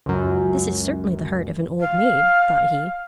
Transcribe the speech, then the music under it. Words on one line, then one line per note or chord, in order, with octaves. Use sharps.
"This is certainly the heart of an old maid," thought he.
C#2 F#2
F5